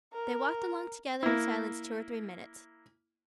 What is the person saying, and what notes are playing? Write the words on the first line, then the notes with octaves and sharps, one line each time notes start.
They walked along together in silence two or three minutes.
A#4
A#3 E4